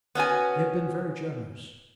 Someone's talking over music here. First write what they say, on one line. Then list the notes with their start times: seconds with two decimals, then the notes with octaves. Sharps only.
He had been very generous.
0.15 B3 C#4 F#4 G#5